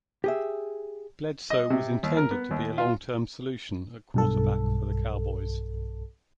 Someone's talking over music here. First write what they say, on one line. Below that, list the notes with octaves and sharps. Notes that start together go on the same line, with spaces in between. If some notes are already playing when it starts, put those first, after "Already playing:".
Bledsoe was intended to be a long-term solution at quarterback for the Cowboys.
G4 G#4 E5
D#5
C3
D#2
A#4
B3
D#2
F4
B1 G2 A4